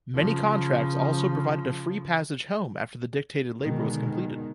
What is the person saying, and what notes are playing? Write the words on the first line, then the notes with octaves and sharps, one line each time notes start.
Many contracts also provided a free passage home after the dictated labor was completed.
C#3 F3
B2 D3 D#3 G#3